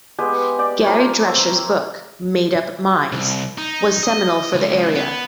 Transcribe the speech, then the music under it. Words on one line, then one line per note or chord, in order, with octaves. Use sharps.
Gary Drescher's book 'Made-up Minds' was seminal for the area.
G#3 B3 G4 G#5
D5 G5 D6
F3 A#3 C#5
C5
C4 C#5 E5
A#5
C2
D#4
D#5
C#2
B3